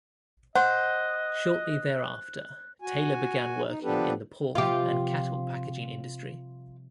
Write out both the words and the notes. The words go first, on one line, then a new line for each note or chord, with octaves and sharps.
Shortly thereafter, Taylor began working in the pork and cattle packaging industry.
C5 D#5 F#5 F#6
F#4 G#5
D#4
F3 B3 D4 G4 A4 B4
C3 F3 G3 F4 G4